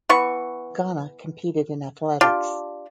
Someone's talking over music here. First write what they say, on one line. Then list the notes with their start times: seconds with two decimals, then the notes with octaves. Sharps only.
Ghana competed in athletics.
0.09 E3 B3 C#6
2.21 D4 F4 G4